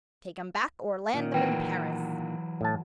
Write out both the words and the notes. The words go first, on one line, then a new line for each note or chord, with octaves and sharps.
Take 'em back, or land them in Paris.
A#2 D#3
E3 F#3 F#4 B4 G5
A2 A5